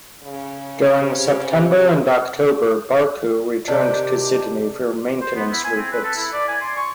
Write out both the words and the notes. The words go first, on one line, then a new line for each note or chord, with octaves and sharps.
During September and October, "Barcoo" returned to Sydney for maintenance refits.
C#3
C3
C3 D#3 D4 G4
C5
B3
E4
G#5
C4
B4
A4
E4
D5
G#5
C6
C#6